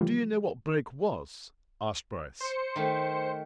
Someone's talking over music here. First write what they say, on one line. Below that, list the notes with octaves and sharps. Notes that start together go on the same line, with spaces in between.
"Do you know what Brake was?" asked Bryce.
C#3 E3 F3 G3 A3 F4
C5 C#7
D#3 A3